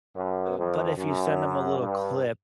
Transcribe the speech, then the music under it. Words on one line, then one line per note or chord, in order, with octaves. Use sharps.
uh, but, if you send them a little clip,
F#2
F2
F#2
G2